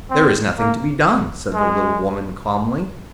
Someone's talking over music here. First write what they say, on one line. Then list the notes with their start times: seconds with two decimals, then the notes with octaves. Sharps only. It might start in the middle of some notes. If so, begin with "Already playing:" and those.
"There is nothing to be done," said the little woman calmly.
0.10 C4
0.59 A#3
1.55 G#3